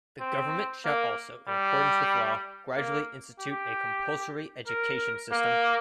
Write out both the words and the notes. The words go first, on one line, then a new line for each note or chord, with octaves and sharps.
The government shall also in accordance with law, gradually institute a compulsory education system.
C4
A#3
G3
A#3
G4
A#4
A#3